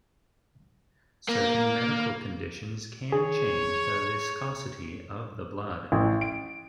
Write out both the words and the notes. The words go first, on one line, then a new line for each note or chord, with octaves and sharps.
Certain medical conditions can change the viscosity of the blood.
A#3
G#4 C#5
A1
D7